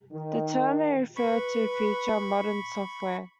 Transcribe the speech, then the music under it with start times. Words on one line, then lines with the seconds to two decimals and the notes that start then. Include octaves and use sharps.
The term may refer to a feature of modern software.
0.12 D#3
1.16 B4 B5 C#6